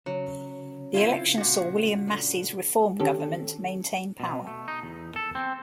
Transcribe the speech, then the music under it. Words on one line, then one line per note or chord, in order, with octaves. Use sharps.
The election saw William Massey's Reform Government maintain power.
C#3 F#3
C4 E4 F4
A#2 F#4
D3
D#3 C#4 D4 G4 A4
B2
A3
D#4
E2
A4
C4